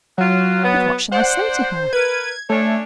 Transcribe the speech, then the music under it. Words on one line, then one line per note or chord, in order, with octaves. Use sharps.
"But what shall I say to her?"
F#3 F4 F#4
B3
D4 C5 D5 F#5
A#4 B4 G#6
A3 C#4 D4 C#5